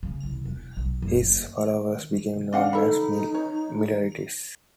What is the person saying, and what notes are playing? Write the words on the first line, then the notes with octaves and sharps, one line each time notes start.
His followers became known as Millerites.
C#3
C2
E1
B1
F#1
D4 D5 F5 F#5
D#4 A4 B5
C#5